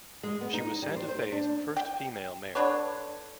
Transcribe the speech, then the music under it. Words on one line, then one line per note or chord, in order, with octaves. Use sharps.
She was Santa Fe's first female mayor.
G#3
B3
D#4
G3
C5
C5
D4
G5
D3 D4 B4 C#5